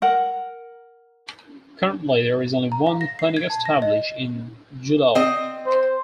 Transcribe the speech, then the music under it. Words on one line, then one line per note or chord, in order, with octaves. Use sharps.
Currently, there is only one clinic established in Julau.
A#4 F#5
A#5
F5
A#6
C7
G#6
A5
A#6
D#5
C4 D#5
C5